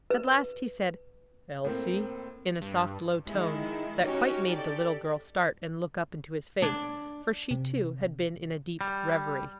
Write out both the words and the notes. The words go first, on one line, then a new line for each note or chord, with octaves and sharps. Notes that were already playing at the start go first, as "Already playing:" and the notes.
At last he said, "Elsie!" in a soft, low tone that quite made the little girl start and look up into his face; for she, too, had been in a deep reverie.
B4
A2 A#3 C4
G2
D#3 G#3 E4
C#4 D#4 F#4 G4 C#5
G4 A4 D5
D4
C3
G3